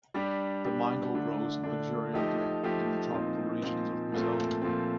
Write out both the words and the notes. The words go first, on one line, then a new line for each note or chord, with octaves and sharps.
The mango grows luxuriantly in the tropical regions of Brazil.
G3 D4 G4
G3 D4 G4
D3 A3 D4
D3 A3 D4
F3 A3 D#4 G4
F3 A3 D#4 G4
A#2 F3 C4 D#4
A#2 F3 C4 D#4
A#2 F3 A3 C4
A#2 F3 A3 C4